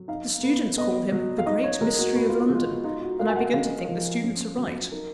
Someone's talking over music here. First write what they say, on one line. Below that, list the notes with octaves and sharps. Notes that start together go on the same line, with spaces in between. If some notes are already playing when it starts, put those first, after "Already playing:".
The students call him 'The Great Mystery of London;' and I begin to think the students are right.
Already playing: F#3
D#4 F5
B3
B3 D#5
F#3
F5
D#4 D#5
C#5
G#3 A#4
F#4
B3 F#4
F4
G#3 F4
D#4 F4
F#4
A#3 F5
G#5
F#5
G#3 F5
F3
C#4
F#3
D#4 A#4